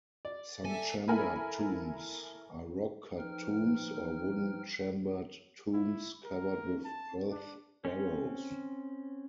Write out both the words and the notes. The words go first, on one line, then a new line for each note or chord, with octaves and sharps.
Some chamber tombs are rock-cut tombs or wooden-chambered tombs covered with earth barrows.
D5
A4 E5 G#5
E4 A4 A#4 G#5 B5
F3 D#4 B4 G5 F6
E4
A#4
A5
D4
C4 C#4